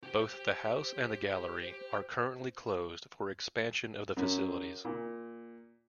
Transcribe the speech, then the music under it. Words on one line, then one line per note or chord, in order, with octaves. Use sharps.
Both the house and gallery are currently closed for expansion of the facilities.
G4 C5 G5
F#2
A#2